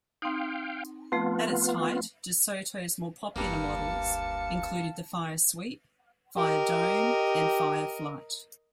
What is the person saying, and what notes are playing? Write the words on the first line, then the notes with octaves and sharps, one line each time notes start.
At its height, DeSoto's more popular models included the Firesweep, Firedome, and Fireflite.
C4 D#4 F5 G5
F3 A3 B3 C4 F4
F#1 D2 G2 G3 A#3 F5 A5 C#7
G4 A#4 D#5